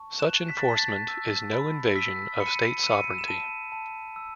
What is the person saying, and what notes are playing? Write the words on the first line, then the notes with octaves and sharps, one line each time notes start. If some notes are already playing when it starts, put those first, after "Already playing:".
Such enforcement is no invasion of State sovereignty.
Already playing: A5 C#6
F#6 E7
B6
A6
A5 B6
A6
E6
B5
E6 B6
B5 C#7
D#7
C#7
E6 D#7
C#7
D#7
E7
A5 D#7
A5
E6